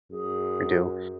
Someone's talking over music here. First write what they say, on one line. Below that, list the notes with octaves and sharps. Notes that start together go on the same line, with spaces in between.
We do.
F#2 G#4